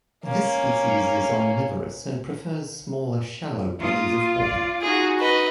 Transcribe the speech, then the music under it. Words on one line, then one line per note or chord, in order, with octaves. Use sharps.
This species is omnivorous and prefers smaller shallow bodies of water.
A#3 C#4
A#3 F4 D#6
D5
D#4 F#4 G#4
B4 D#5